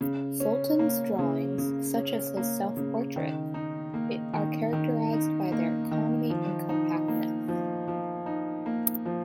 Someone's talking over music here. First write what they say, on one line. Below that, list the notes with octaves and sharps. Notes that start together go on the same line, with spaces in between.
Sultan's drawings, such as his self-portrait, are characterized by their economy and compactness.
C#3
C#4
A#3
C#3
C#3
C#4
A#3
C#3
D#3
D#4
A#3
D#3
D#3
D#4
A#3
D#3
F3
D#4
A#3
F3
F3
D#4
A#3
F3